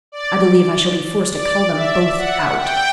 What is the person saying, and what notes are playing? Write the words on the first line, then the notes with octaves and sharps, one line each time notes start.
I believe I shall be forced to call them both out.
D5
D5
E5
F#5
G5